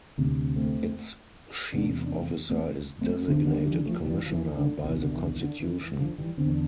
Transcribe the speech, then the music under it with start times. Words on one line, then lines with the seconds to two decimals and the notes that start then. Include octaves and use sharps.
Its chief officer is designated "Commissioner" by the Constitution.
0.18 D2 C3
0.56 A3 C4
1.72 E2 C3 B3 D4
2.06 D4
2.11 A3 C4
2.50 A3 C4
3.01 A3 C4
3.27 D2 D3 A3 C4
3.47 G3 B3
3.66 E3 G3
3.86 F3 A3
4.05 E3 G3
4.26 F3
4.31 E3
4.57 D3
4.83 C2 B2 E3
5.02 D3
5.12 E3
5.21 D3
5.34 E3
5.41 D3
5.60 E3
5.80 E3
5.99 D3 F3
6.18 E3 G3
6.37 E2 D3 C4
6.49 D4